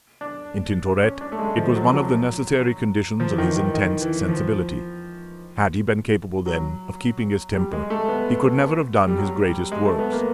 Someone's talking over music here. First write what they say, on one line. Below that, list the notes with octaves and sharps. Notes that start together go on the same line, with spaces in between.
In Tintoret it was one of the necessary conditions of his intense sensibility; had he been capable, then, of keeping his temper, he could never have done his greatest works.
D4
C#4
D4
A3
G#3
F3
F#3
F#3
F3
E3
D#3
D#3
D#3
E3
F3
F#3
G3
G#3
A3
B3
G3
F#3
G3
G#3
A3
B3
A#3